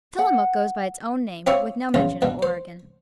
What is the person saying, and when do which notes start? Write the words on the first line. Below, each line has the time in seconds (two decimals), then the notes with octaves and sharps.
Tillamook goes by its own name with no mention of Oregon.
0.19 F#5
1.47 C4 E4 G4 C#5 F5
1.94 A#1 E2 C#3 F4
2.22 G2 B2
2.43 C5